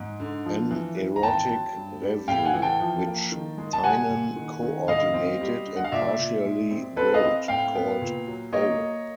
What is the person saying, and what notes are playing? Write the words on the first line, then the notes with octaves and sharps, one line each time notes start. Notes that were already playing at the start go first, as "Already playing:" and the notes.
An erotic revue which Tynan co-ordinated and partially wrote, called Oh!
Already playing: G#2
D3
F3
E3
E3
A#5
G#1 G5 A5
F#3
G2
G3
A2 F5 G5
F#5 G#5
E3
G5 A5
F3
A#3
D#3
G#3
A5
G3 F#5 G#5
A#2
D#3
D#3
A2 D#5 F5
C4
G3
D3
F#5
F5
A#2 D5 E5
A#2
G#3
C4
C4 A4 B4
D#5 F5
C4
A2 F5 G5
B3
A#2
F#3
A#3 C#5 D#5
A#3